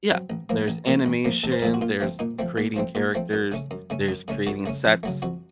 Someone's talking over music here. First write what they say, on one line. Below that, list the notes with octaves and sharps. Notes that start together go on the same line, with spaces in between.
Yeah. There's animation, there's creating characters, there's creating sets,
F#3 C4
A1
A2 F3 A#3
A1
A2 F3 A#3
A1
A2 F3 A#3
A1 A4
C5
A#4
A2 F3 A#3 A4
F#4
A#2 F4
F3 A3 C4
A#2 D#4
F3 A3 C4
A#2
F3 A3 C4
A#2 F4
F3 A3 C4
F#2
C#3 A3 C#4
F#2
C#3 A3 C#4
F#2
C#3 A3 C#4
F#2 F#4
C#3 A3 C#4
F2
C#3 F#3 A3
F2 F#4